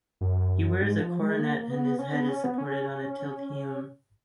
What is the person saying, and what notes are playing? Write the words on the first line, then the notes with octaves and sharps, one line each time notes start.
He wears a coronet and his head is supported on a tilt-heaume.
F#2
G#2
F3
G#3
A#3
B3
C#4
B3
C#4
B3
C#4